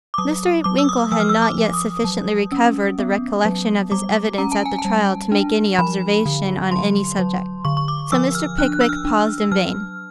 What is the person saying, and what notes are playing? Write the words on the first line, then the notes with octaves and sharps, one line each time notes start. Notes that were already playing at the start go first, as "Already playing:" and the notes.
Mr. Winkle had not yet sufficiently recovered the recollection of his evidence at the trial, to make any observation on any subject, so Mr. Pickwick paused in vain.
D6
F#3 D#6
F#3 D6
E6
D#6
F3 E6
F6
E6
D6
F3
D#6
F#3
C#4
B3
F#3
G3 D6
C#4 A#5
A5
G#5
A5
G3
D4
F3 B5
D3
F#3 C6
F#3
D3 C#6
C#6
D6
F3 E6
F6
D4 F#6
E6
F6
D4
E6
F#3 F6